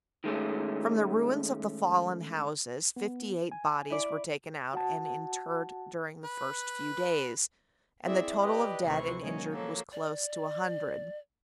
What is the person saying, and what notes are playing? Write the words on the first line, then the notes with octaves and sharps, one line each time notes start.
From the ruins of the fallen houses fifty-eight bodies were taken out and interred during the first few days, and the total of dead and injured was close to a hundred.
D#3 G#3 A3 C#4
B3
G#5
E4 D5
F#4 F#5 A5
B4
C4 E4 G#4 D5 E5
G4 B4 D5 D#5
D2 C3 E3 C5 C#6
F#3 G#3 A#3 C#4 D#4
F3 F#3 A#3 A4
D5